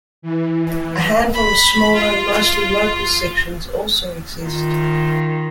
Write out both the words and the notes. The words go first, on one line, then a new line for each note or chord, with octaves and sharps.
A handful of smaller, mostly local sections also exist.
E3
B5
F4
D#3 F4